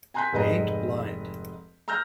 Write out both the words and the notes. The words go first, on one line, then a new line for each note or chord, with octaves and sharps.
I ain't blind.
G#5 A#5 C6 F#6 G6 B6
F1 G#2 B4 D#5 A#5
A#5 E6 F6 G6 A#6